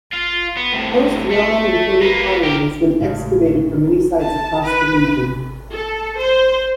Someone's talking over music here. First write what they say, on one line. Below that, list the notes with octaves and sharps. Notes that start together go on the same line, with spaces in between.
Post-Roman imported pottery has been excavated from many sites across the region.
F4
B3
A2 C3
A3
A#3 B3
G4 A#4
A2 C#3 G#3
A5
B4
A4
C5